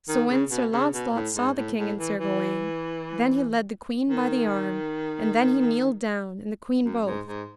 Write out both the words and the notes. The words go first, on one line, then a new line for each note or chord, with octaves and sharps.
So when Sir Launcelot saw the king and Sir Gawaine, then he led the queen by the arm, and then he kneeled down, and the queen both.
D#3
C#3
B2
C#3
B2
A2
G#2
A2
A2
E3
E3
D#3
F#2
G#2
G#2